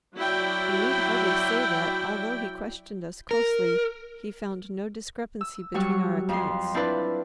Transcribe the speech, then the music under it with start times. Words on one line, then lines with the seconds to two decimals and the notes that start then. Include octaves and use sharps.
I need hardly say that, although he questioned us closely, he found no discrepancy between our accounts.
0.15 F#3 E4 F#4 D5 G5
3.31 A#4
5.41 E6
5.74 F#3 G3 F#4 C#5 C#6
6.29 F2 C6
6.74 C4 D4 E4 F4 B4 D5